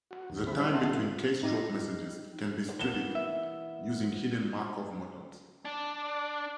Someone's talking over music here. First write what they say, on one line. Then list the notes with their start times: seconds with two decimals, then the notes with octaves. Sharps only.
The time between keystroke messages can be studied using hidden Markov models.
0.11 F#4
0.30 D#2
0.47 D3 G3 A3 C4 E4 B5
0.74 G#4 D#5 E5 F#5 A5 C6
0.88 B2 G3 F4 A4
1.43 D#4 G4
2.79 E3 A#3 B3 E7 G7
3.15 E5
5.65 D4